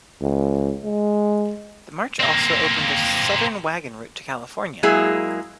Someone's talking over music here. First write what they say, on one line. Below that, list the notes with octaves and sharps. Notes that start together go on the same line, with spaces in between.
The march also opened a southern wagon route to California.
C#2
G#3
A#3 C4
F#3 G#3 A#3 E4 G#4